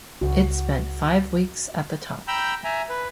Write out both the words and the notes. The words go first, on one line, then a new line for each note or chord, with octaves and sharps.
It spent five weeks at the top.
C#2 F#4
G5 A#5 B5 E6 G6
E5 G#5 A#5
B4